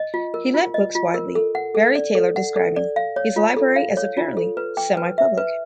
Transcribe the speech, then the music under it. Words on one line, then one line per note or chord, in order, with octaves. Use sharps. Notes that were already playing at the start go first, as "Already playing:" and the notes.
He lent books widely, Barry Taylor describing his library as apparently "semi-public".
Already playing: D#5
F4
A#4
F4
D#5
F4
A#4
A4
F#5
A4
D5
A4
F#5
A4
D5
F5
C#5
F4
A4
F5
C#5
F4
A4
B4
G5
B4
E5
B4